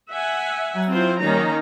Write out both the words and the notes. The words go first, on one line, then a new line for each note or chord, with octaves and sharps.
Oh, yeah.
E5 F#5 G#5
C4 E4 F4 C5
D#3 A#3 C#4 D#4 A#5